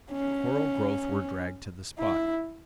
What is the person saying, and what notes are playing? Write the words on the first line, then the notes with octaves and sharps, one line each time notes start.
Coral growth were dragged to the spot.
C#4
E4